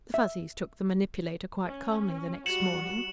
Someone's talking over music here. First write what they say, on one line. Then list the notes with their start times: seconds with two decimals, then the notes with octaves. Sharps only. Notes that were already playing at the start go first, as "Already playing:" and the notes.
The Fuzzies took the manipulator quite calmly the next morning.
0.14 E5
1.66 C#4
2.46 G3 F#4 C#7 E7 F#7